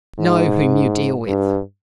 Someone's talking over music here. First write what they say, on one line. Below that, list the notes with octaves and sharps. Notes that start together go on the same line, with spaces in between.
Know whom you deal with.
G#2
G2